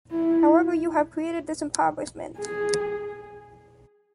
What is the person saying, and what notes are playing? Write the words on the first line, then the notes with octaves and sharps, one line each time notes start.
However you have created this impoverishment.
E4
G#4